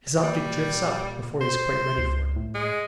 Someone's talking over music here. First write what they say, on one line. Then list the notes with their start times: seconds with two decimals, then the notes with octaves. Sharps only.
His object drifts up, before he is quite ready for it.
0.23 A#2 G3
1.41 C5
1.98 C#2
2.36 A2
2.55 G#3